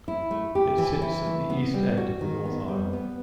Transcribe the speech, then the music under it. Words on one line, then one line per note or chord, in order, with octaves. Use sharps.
It sits at the east end of the north aisle.
E4
A3
G4
E3
E4
A3
B3
G3
F#4
D#3
B3
G3
B3